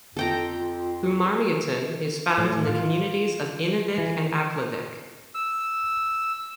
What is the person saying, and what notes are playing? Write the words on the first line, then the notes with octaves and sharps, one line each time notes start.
Uummarmiutun is found in the communities of Inuvik and Aklavik.
F2 F4 A4 G5 A#5
A2
F4
E3
E6